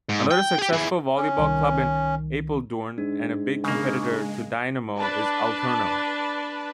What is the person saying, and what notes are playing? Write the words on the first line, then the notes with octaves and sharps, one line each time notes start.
Another successful volleyball club in Apeldoorn, and a big competitor to Dynamo, is Alterno.
G#2
G5
G4 G#4
E4 G#4
C#4
C2 D#3
G#2 D4
C#3 G#3 A#3
D4 B4 D5 A5